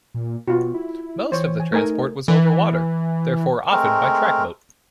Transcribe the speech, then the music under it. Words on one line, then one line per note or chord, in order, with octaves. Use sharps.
Most of the transport was over water, therefore often by track boat.
A#2
B2 F4 F#4
E4
E3 C5 C#5
G#5
A3 D#4 A#4 G#5
E3
G#3 A3 C4 A#4